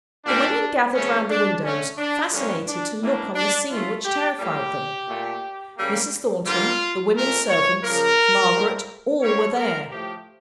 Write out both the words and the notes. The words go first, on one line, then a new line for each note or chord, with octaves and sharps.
The women gathered round the windows, fascinated to look on the scene which terrified them. Mrs. Thornton, the women-servants, Margaret,--all were there.
A#2 G3 A#3 D4
C#3 F3 A3 C#4
D4
D3 A3 C#4
D4
G2 D3 F3 A#3 C#4
D4
A2 E3 G3 A#3 D4
D4
C#3 E3 A3 F4
G4
A2 G3 A#3 G4
A#2 A3
C#3 G3 A#3
D3 G3 A#3 F4
A#2 A3 A#4
C#5
C#3 F3 A#3 A#4
A2 G3 A#3
A2 G3 A#3 C#5
A#4
A2 F3 A3 G4